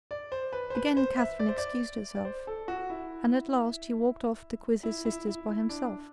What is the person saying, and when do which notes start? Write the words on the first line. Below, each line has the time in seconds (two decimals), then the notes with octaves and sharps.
Again Catherine excused herself; and at last he walked off to quiz his sisters by himself.
0.11 D5
0.32 C5
0.53 B4
0.70 C5
0.75 B4
0.97 C5
1.18 E5
1.39 D5
1.49 C5
1.58 D5
2.15 D5
2.25 C5
2.47 A4
2.68 F#4
2.90 E4
4.83 E4
5.05 E4
5.27 E4
5.49 E4
5.69 D4